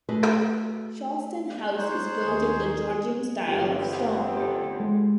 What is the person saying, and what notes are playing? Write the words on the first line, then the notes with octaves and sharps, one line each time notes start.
Shalstone House is built in the Georgian style, of stone.
A3 F#4 G#4 B4
D#4 C5 C#5 F#6
D#2 G#4
G1 E2 C4 F4 G4
G4 A4
G#3